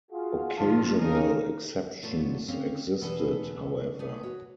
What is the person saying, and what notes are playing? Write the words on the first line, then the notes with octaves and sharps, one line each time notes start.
Occasional exceptions existed, however.
F4 F#4 G#4
D3 D#3 F3 F5 A5
C#3 D#4 G#4 A#4
A#2 A3 B3 F4 A4 C#5
D3 C4 C#4 F5
E2 B2 B3 G#4 A4 B4
A3 B3 G#4
F#4 C#5